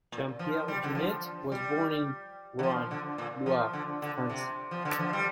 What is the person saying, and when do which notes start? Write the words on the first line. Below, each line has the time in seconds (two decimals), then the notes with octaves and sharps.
Jean-Pierre Jeunet was born in Roanne, Loire, France.
0.12 A#2
0.39 F3
0.68 G3
0.83 D3
0.95 F3
1.52 G3
2.59 D3
2.63 F3
2.91 D3
3.18 A#2
3.46 F3
3.73 D3
4.02 D3
4.30 C3
4.71 F3
4.85 D3
4.99 F3
5.13 G3